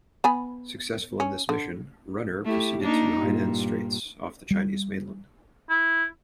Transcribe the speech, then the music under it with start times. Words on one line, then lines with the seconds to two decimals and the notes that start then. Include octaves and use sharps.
Successful in this mission, "Runner" proceeded to Hainan Straits, off the Chinese mainland.
0.24 B3 G#5 B5
1.20 C#4
1.49 D3
2.45 A3 E4 G4
2.80 A#3 D4 D#4
3.19 G2 A#2
4.51 G3
5.70 E4